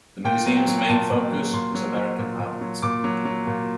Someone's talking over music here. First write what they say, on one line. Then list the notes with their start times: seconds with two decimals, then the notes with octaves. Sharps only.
The museum's main focus was American art.
0.24 A#2 G5
0.46 F#3
0.57 G5
0.67 F#3
0.79 G5
0.89 A#2 A5
1.11 A#2
1.32 F#3
1.53 A#2 C6
1.75 F#3
1.97 F#3
2.19 A#2
2.39 A#2
2.61 F#3
2.82 A#2 D6
3.04 F#3
3.25 F#3
3.47 A#2